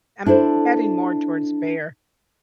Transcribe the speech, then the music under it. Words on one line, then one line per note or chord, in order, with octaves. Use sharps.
I'm heading more towards bear.
D4 E4 A4 C5